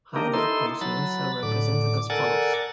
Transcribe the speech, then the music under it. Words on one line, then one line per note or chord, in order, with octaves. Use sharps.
Haida consonants are represented as follows.
A#3 D4 D#4 G4 A#4
D#4 E4 A4 C6
F#3 B5 A6
A2 D3 D6
A4 A#4 D5 F#5 G#5 A6